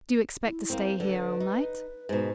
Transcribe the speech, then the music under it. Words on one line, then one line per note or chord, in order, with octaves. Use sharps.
"Do you expect to stay here all night?"
E4
A#3 C4
D3 B4
D#4
G#2 B2